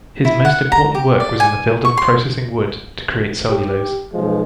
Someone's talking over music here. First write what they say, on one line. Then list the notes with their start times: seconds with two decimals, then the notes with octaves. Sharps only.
His most important work was in the field of processing wood to create cellulose.
0.25 E4
0.45 F#5
0.72 A#5
0.95 G4
1.20 D5
1.40 G#5
1.85 C#6
1.97 C6
3.51 G4
4.13 B1 F3 G#3